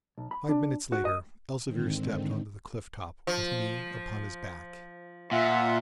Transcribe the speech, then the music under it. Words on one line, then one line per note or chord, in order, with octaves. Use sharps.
Five minutes later Elzevir stepped on to the cliff-top, with me upon his back.
B1
B5
D4
F#4
D#5
G#2 D3 D#3 C4
F3
A#2 F4 E5 F#5